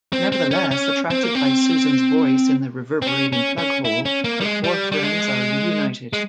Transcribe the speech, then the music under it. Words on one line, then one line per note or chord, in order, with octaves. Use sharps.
Nevertheless, attracted by Susan's voice in the reverberating plughole, the four friends are reunited.
C4
C4
C#4
C#4
C4
A#3
C4
C4
C#4
C#4
C#4
E4
C#4
A#3
G3
G#3
G3
G3
G#3
G#3